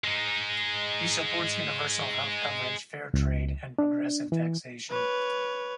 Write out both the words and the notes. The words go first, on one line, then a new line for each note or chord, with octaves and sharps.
He supports universal health coverage, fair trade, and progressive taxation.
G#3 D#4
C#2
D4
E3
B4 C#5